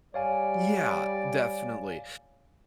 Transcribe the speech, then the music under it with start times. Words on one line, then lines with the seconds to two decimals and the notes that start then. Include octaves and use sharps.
Yeah, definitely,
0.14 G3 C#5 D5 F5 G#5